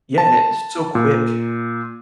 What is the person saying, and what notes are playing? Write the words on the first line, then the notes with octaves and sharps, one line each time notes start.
Yeah, and it's so quick.
A5
A#2